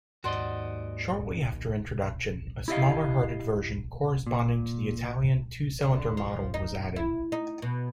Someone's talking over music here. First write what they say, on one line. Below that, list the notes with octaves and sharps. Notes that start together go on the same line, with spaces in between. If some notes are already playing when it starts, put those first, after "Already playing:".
Shortly after introduction, a smaller-hearted version corresponding to the Italian two-cylinder model was added.
D#2 G#2 F#4 C5 D5 D#5 F#5 C6
E4 G4 A4 D5 D#5 F5
A#2
D3
F3
D#4
E4
D#4
B2